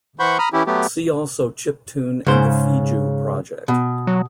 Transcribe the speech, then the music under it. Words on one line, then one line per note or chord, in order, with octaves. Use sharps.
See also chiptune and the Fijuu project.
E3 C5 F#5 B5 C#6 G6
A#5 B5 D#6 F6
E3 C#4 E4 G4
F#3 A3 B3 G4
G#2 C#3 C5
B2
F#3